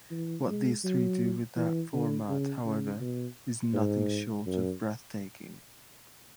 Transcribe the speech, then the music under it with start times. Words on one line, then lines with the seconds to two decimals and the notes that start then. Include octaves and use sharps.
What these three do with that format, however, is nothing short of breathtaking.
0.11 E3
0.48 G#3
0.84 F#3
1.56 E3
1.92 D3
2.29 C#3
2.65 C#3
3.01 B2
3.73 G#2
4.46 F#2